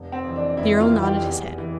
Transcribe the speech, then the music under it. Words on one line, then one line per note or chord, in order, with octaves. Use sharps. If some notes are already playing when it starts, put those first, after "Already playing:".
The Earl nodded his head.
Already playing: F1
C4
F2 E3
D4
F1 E4
F4
F2 E3
G4
E2
E3